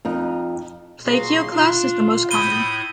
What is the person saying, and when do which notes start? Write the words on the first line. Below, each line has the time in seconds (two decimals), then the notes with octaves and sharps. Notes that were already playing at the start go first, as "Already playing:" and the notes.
Plagioclase is the most common.
0.05 F2 D#4
1.06 A#2 F#3 F#4 G#4 F5 C6
1.52 D4 F4
2.31 A2 E4 B5 D#6 G6 D#7 G7